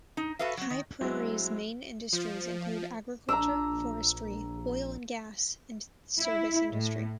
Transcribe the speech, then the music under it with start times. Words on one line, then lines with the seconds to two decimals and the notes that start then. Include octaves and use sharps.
High Prairie's main industries include agriculture, forestry, oil and gas, and service industry.
0.17 D#4
0.39 F#4 A4 B4 E5 F5
0.57 F#3 C4
0.70 D#3
1.01 F#3 G#3 C4 E4 F#4
2.13 F3
3.29 A#1 D4 A#5 E6
6.18 E4
6.72 A2